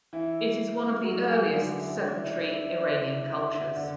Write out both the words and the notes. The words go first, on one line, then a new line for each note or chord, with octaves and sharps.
It is one of the earliest sedentary Iranian cultures.
E3 E4
F#3 F#4
G#3 G#4
D3 D4
D4
E4
D4
E4
D4
E4
D4
E4
D4
E4
D4
E4
D4
E4
D4
E4
D4
E4
D4
E4
D4
E4
D4
E4
D3 D4
D3 D4